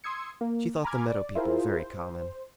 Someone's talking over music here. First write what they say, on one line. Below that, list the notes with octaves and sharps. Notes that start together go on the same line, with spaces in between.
She thought the meadow people very common.
C6 D#6 E6 G#6 C#7
A#3
G#5 A#5 B5 D6 F6 G#6
D5
E4 F4 G#4 A#4 C5
C5